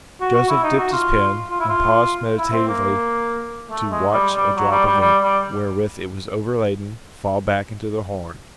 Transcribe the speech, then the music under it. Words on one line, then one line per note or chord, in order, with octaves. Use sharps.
Joseph dipped his pen, and paused meditatively to watch a drop of ink, wherewith it was overladen, fall back into the horn.
F#4
F#4
E4
D#4
F#4
F4
F4
E4
F4
E4
C4
A#3
A3
G#3
G3
G3
F#3
G3
G3
G3
G3